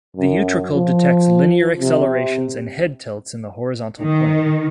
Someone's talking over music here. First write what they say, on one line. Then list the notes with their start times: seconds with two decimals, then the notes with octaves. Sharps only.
The utricle detects linear accelerations and head-tilts in the horizontal plane.
0.16 F#2
0.74 F3
1.80 C3
4.01 D#3